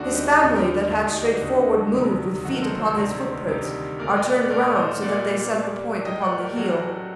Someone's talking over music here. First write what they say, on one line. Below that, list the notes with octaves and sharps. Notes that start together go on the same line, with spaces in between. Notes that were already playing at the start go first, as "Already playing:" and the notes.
His family, that had straight forward moved With feet upon his footprints, are turned round So that they set the point upon the heel.
Already playing: D#2 D3 A3 D4 F#4
D#4 G4
D#2 D3 A3 F#4 A4
G4 A#4
D2 D3 A3 D4 F#4
D#4 G4
D4 F#4
D2 D3 A3
D2 C3 D#3 F#3
D2 C3 D#3 F#3 F#4 A4
A#4
A4 C5
A4 C5
D2 C3 D#3 G3
D2 C3 D#3 G3
A#2 A3 A#4 D5
D#5 G5
D5 F#5
A#2 A3 A#4 D5
C5 D#5
A#2 G3 A#3 D5 F#5
A#2 G3 A#3
A2 F#3 A3 D#5 G5
D5 F#5
G4 A#4
A2 F#3 A3 F#4 A4